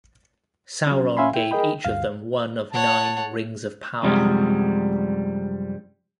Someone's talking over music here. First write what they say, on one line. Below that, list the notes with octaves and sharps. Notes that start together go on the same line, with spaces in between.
Sauron gave each of them one of nine Rings of Power.
F#3 C#4
C#4 E5 F5 G#5 B5 C6
E4 G5
G#4 A#4 D#5 G5 B5
D2 G2 F5
C#5 F#5 A5
F#2 C3 F3 G3 G#3